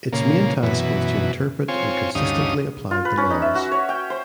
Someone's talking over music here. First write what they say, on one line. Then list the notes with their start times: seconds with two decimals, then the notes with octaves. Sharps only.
Its main task was to interpret and consistently apply the laws.
0.13 A#2 C#3 A#3
0.63 F#2 B2 E3
1.68 C4 F4 C#5 G#5
2.15 D2 G2 C#4 D#4 F5 D#6
2.91 F4
3.05 B4
3.17 C#4
3.30 D#4
3.42 E5
3.55 F#4
3.72 C#5
3.89 G5
4.10 C5